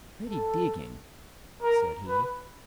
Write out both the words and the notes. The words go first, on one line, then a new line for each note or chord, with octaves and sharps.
"Pretty digging!" said he.
A4
A#4
B4